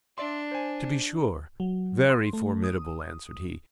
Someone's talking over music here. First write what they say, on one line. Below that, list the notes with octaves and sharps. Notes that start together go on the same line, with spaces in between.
"To be sure--very formidable," answered he.
D4 D5 E5 C6
C5 G#5
F#3
C6
A3
D#6